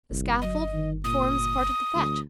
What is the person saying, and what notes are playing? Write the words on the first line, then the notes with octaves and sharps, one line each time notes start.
"The scaffold forms part of the fete."
G1 C2
F#3 D#5
D#3
A#2 D#6
D2